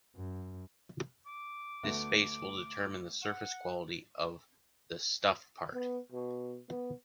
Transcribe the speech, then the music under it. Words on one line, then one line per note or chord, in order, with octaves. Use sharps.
This space will determine the surface quality of the stuffed part.
F#2
D6
D2 A3 B3
F#5
B3
B2
B3